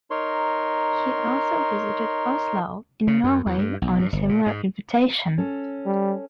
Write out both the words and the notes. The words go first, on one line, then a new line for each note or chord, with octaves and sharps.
He also visited Oslo, in Norway on a similar invitation.
D#4 A#4 C#5 C6
C#3
F#2
E2
G2
B1
G2
G1
A#2
G#2
C#4 A4
G3